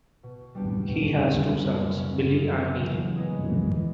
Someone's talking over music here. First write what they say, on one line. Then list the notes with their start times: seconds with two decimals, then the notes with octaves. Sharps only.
He has two sons Billy and Neal.
0.23 B2
0.55 G3 B3 D4 G4
0.88 B2
1.20 G3 B3 D4 G4
1.53 F#2
1.85 C#3 F#3 A#3
2.18 F#2
2.51 C#3 F#3 A#3
2.83 E3
3.16 G#3 B3 D#4 G#4
3.48 E3